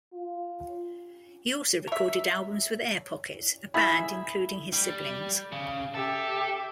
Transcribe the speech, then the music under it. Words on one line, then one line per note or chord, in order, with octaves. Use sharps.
He also recorded albums with Air Pocket, a band including his siblings.
F4
A#4 E5
E4 G#4 E5 B5
G3
C#3
G4 A4 E5